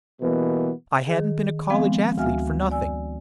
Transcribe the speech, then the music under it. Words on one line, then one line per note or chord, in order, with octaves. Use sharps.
I hadn't been a college athlete for nothing.
B2 E3 G3 A#3 B3
D#3 G#4
F3 G#3 B3 C4 F5
D2 F#4 E5 F5 G#5 F6
D5 G#5 E6